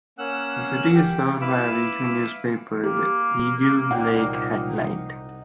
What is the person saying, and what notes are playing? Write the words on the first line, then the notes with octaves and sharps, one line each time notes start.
The city is served by a weekly newspaper, the "Eagle Lake Headlight".
A#3 C#4 F#5 E6 F#6
G4
E4 B4 F5 B5 D6 E6
A#3 G4
C2 A#2 D#4 F#5 G5